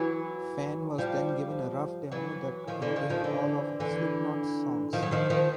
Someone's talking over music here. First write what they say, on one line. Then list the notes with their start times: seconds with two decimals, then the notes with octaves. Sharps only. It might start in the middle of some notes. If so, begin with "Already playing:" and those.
Fehn was then given a rough demo that contained all of Slipknot's songs.
Already playing: E3 F#3
0.98 F3 G3
2.12 E3 F#3
2.67 D#3 F3
2.82 D3 E3
2.96 D#3 F3
3.09 D#3 F3
3.24 D3 E3
3.80 D3 E3
4.93 D#3 F3
5.03 F#3
5.11 D#3 F3
5.30 D#3 F3